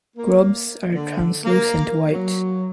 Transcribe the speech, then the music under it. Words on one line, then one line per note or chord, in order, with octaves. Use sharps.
Grubs are translucent white.
A#3
D3
A#3
F#3